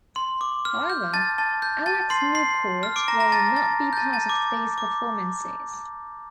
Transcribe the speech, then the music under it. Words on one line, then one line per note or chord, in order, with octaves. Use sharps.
However, Alex Newport will not be part of these performances.
C6
D6
F6
G6
A5 A6
A5 A6
G6
A5 A6
C6 C7
C6 C7
F6
D6 D7
A#5 A#6
A#5 A#6
A5 A6
A5 A6
G6
A5 A6
A5 A6
D6
D6